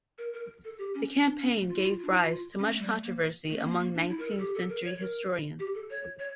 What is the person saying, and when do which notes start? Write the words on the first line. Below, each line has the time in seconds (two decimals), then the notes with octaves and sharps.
The campaign gave rise to much controversy among nineteenth-century historians.
0.18 A#4
0.34 A#4
0.64 A4
0.78 G4
0.95 C#4
1.23 D4
1.39 C#4
1.54 A3
1.69 F4
1.78 E4
1.84 F4
1.99 F4
2.05 D4
2.09 E4
2.20 F4
2.30 F4
2.59 C#4
2.69 A3
2.79 G3
2.90 A3
3.04 A#3
3.50 A3
3.58 C#4
3.64 A#3
3.80 A#3
3.94 D4
4.09 E4
4.19 A#4
4.30 A4
4.39 G4
4.55 A4
4.69 A#4
4.85 C#5
5.00 A#4
5.59 G4
5.75 A4
5.90 C#5
6.19 C#5